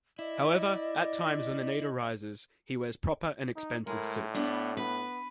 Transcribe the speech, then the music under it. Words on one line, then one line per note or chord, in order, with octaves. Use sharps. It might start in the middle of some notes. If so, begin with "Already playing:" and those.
However, at times when the need arises, he wears proper and expensive suits.
E4 D5 D#5
D#4
A2 G#3 A#4
B3 D4 D5
B3 B4